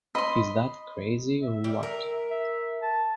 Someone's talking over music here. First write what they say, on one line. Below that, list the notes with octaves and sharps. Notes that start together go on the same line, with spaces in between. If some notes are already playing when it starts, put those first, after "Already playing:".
Is that crazy or what?
D#5 B5 C6
E5
G3
A#4
E5
A5